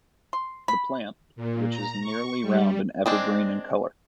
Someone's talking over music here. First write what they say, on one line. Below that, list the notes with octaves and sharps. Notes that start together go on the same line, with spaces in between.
The plant which is nearly round and evergreen in color.
C6
B5
A#2
A#5
C#6
G3
G#3 C4 D4